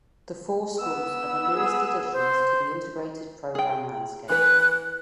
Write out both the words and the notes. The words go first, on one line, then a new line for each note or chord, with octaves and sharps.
The four schools are the newest additions to the Integrated Programme landscape.
B3 E6
G#4
C5
G#4 G5
E3 B4 F#6